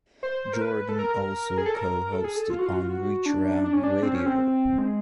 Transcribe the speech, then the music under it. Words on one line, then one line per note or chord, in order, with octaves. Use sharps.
Jordan also co-hosted on "Reach Around Radio".
C5
A#4
B4
A4
A#4
G#4
A4
A#4
A4
G#4
A4
F4
F#4
F4
F#4
F4
F#4
D4
D4
C#4
D4
C4
C#4
C4
G#3